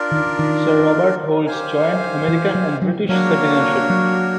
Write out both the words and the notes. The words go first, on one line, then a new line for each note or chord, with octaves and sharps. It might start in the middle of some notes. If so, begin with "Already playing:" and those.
Sir Robert holds joint American and British citizenship.
Already playing: D4 F4 A#4 D5
D#3
D#3
G4 C5 F5 G#5
E3
F#3
F#3
F#3 A#3 D4 F#4 A#4 C#5
F#3